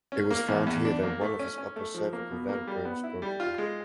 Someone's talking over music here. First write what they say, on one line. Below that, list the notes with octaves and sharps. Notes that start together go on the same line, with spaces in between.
It was found here that one of his upper cervical vertebrae was broken.
C#4
A#3
E2
E2
D4
A#3
A3
C#4
C#4
A3
F3
A#3
B2
A#3
G3
B3
E4
G3
F4
G#3